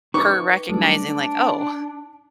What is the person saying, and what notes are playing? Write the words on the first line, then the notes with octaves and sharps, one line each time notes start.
her recognizing, like, "Oh,
D#4 B4 G5 C#6 D6
F#3 G3 A3 D4